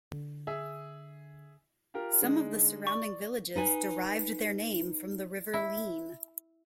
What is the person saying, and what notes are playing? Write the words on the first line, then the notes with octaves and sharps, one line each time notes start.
Some of the surrounding villages derived their name from the River Leen.
D3
G#4 E5
F4 G4 A#4
D3 G#3 D#4
D5 C#6
D#4 B4 G#5
E4